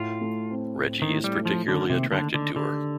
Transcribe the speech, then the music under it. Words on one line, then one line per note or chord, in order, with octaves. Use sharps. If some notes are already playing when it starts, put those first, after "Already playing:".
Reggie is particularly attracted to her.
Already playing: A2 F4
A3
C4
A2
D#3
A2
G3
A3
F3
D3 D#3
C3
A#3
D3
D#4
D3
D3 G4